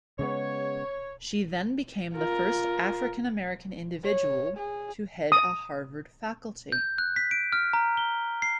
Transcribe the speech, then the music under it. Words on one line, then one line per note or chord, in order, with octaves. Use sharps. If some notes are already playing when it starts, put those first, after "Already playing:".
She then became the first African American individual to head a Harvard faculty.
C#3 G#3 B3 C#5
F4 A#4
C#5
G#4
D#6
G6
F#6
B6
D7
F6
A#5
G7
C7